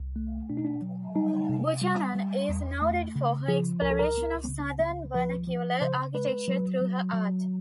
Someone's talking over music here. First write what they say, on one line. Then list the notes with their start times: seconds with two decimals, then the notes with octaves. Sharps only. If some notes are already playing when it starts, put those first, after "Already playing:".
Buchanan is noted for her exploration of Southern vernacular architecture through her art.
Already playing: C2
0.16 A3
0.50 B2 D4
0.57 D#4
0.65 D4
0.82 F#3
1.15 G3 D#4
1.49 C3
1.81 G3
2.15 G3
2.49 E2
2.82 A3
3.16 C#3
3.48 F3 G#4
3.82 C#2 A#4
3.91 A4
3.99 A#4
4.15 C#2
4.48 C#3
4.81 C#2
5.14 F3 B4
5.47 F3
5.81 C#3 C5
6.14 G#3 B4
6.48 F#3
6.81 F#3
7.13 F#3